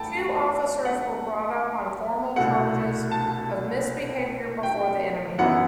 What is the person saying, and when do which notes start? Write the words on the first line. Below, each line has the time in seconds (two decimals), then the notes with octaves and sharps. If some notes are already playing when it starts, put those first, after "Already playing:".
Two officers were brought up on formal charges of misbehavior before the enemy.
Already playing: G2 A3 E4 G5 A5
0.85 F#5
2.36 C2 B2 A3 F#5
3.11 A5
4.63 G5
5.38 F#2 E3 B3 E4 F#5